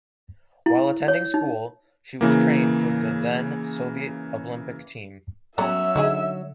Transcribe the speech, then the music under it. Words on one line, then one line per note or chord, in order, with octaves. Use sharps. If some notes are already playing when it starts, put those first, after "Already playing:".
While attending school she was trained for the then Soviet Olympic team.
E4
C#5
D#4
C#3 E3 A#3
F#3 B3 C#4 E5 A#5 E6
D3 D#4 E4 G#4